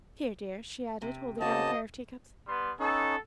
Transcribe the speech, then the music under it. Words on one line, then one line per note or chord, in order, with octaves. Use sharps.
"Here, dear," she added, holding out a pair of teacups.
C3
C#3 A#3 C4 F#4 D#5 A5
G3 B3 C6
B3 C#4 D#4 A4